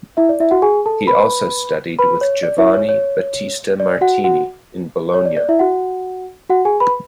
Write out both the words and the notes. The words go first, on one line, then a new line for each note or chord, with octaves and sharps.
He also studied with Giovanni Battista Martini, in Bologna.
E4 E5
D5
E4 E5
F#4 F#5
G#4 G#5
A4 A5
B4 B5
B4 B5
C#5
D5
E4 E5
C#5
C#5
D5
F#4 F#5
F#4 F#5
C#5
D5
D5
E4 E5
F#4 F#5
F#4 F#5
G#4 G#5
B4 B5